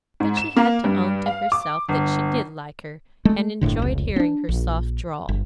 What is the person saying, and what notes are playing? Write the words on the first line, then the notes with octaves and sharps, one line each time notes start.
But she had to own to herself that she did like her, and enjoyed hearing her soft drawl.
G#2
E7
A#3
G2
F5
D6
G1
G#3 A3
F#1 A2 D3
F1 C#2
C4 D4
A#1
G1